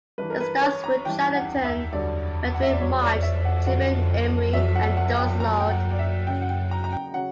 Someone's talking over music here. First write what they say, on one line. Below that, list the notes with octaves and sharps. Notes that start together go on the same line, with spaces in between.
It stars Ruth Chatterton, Fredric March, Gilbert Emery and Doris Lloyd.
G2 E3 B4
A#4
B4
C#5
A#5
G2 E3 G5
F#5
E5
G2 D3 F#3 D5
F#5
E5
D5
G2 F#3 C#5
D5
E5
F#5
F#2 D3 F#3 F#5
E2 B2 F#3 E5
F#5
F#5
G5
A#2 F#3 A#5
G5
F#5
D5
E5
F#2 C#3 F#3 G5
F#5
G5
A#5
A#5
G5
C#3 F#3 F#5